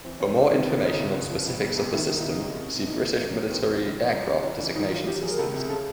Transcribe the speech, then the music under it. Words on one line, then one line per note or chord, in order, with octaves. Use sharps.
For more information on specifics of the system, see British military aircraft designation systems.
E3 C4
D#2 C#4
F1 D4
D#3 C4
C#2 B3
C#4
C#3
D#4
F#1 E4
F#1
F3
C#2
G1
F2
D#3 E4
A#1 D#4
C#3 E4
D#4
D#2
C2
C3
B1 D#4
B1 A3
F#3 A#3
F#3 C#4
D#2 B3
F3 C4
C#2
F#3
F#2
F#1 C#4
E3 C#4
E3 D4
D#3 D#4
F#3 F4
F#3 G4
F#3 G#4
A#4
C#2 A4
C3 G#4
C#3 A4